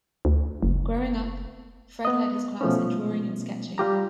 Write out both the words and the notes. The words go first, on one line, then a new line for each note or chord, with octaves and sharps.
Growing up, Fred led his class in drawing and sketching.
D2
F#1
B3 D#5
B2 F3 A3 B3 C#4
G3 F4 G4 A#5